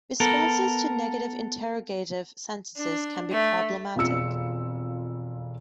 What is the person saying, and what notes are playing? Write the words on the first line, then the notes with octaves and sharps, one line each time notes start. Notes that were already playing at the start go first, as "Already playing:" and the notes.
Responses to negative interrogative sentences can be problematic.
B3 A4 A#4
D4
A3
E1 F2 F4 E6 C#7